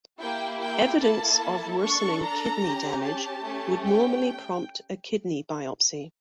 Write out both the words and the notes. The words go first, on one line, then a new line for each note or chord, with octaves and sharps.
Evidence of worsening kidney damage would normally prompt a kidney biopsy.
A#3 E4 G4 G5
G5
A#3 E4 A4 A5
D4 A4 C#6
A#5
C#4 G4
A5
A3 C#4 G4
G5